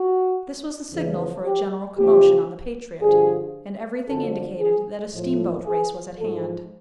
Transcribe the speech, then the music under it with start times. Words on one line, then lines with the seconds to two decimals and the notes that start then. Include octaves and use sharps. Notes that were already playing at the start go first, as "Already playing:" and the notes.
This was a signal for a general commotion on the Patriot, and everything indicated that a steamboat race was at hand.
Already playing: F#4
0.92 E2 C#3 E3
1.45 G4
1.97 E2 C#3 F3 G4
3.02 G2 D3 F3 G#4
4.08 F#2 D3 F3 A4
4.60 G#4
5.14 A2 F3
5.66 G#4
6.19 G#2 F3 A4